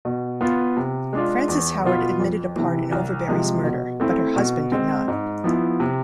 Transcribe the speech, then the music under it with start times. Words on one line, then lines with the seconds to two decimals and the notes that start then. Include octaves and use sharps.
Frances Howard admitted a part in Overbury's murder, but her husband did not.
0.05 B2
0.41 B3 F4
0.77 C3
1.13 G#3 D4 F4
1.48 E2
1.85 B2 B3 F4
2.20 F2
2.56 C3 E3
2.92 C2
3.29 C3 F3 G#3
3.64 B2
4.00 A3 C4 E4
4.36 B2
4.72 G#3 C4
5.08 G#2
5.44 F3 B3 E4
5.80 C3